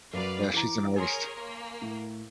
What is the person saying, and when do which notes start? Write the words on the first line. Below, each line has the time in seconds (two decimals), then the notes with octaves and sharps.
Yeah, she's an artist.
0.13 F#2 F#3 B4 D5 F5
0.54 E3 A#5 D6
0.96 G#4 A#4 C#5 G#5 C6
1.41 A#3
1.82 A2